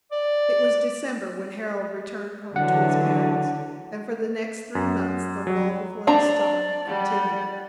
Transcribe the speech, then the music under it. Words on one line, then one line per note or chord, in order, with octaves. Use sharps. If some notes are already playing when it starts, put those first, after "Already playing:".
It was December when Harold returned home to his parents, and for the next three months the lull before the storm continued.
D5
D3 E3 F#3 F#5
F#2
F#3
C4 D4 D5 A5 A#5
G3 F#5